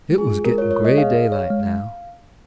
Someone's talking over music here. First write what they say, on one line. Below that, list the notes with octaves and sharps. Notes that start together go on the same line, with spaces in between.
It was getting gray daylight now.
G#3
G#4
F4
G#3 A#4
C#5
F4
C#5
G#3
D#5
G#4 F5
G#4
C#5
G#3